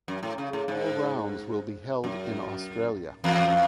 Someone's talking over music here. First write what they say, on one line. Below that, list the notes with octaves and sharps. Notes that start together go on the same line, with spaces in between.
All rounds will be held in Australia.
F#2
A2
C#3
A2
G#2
F#2
E2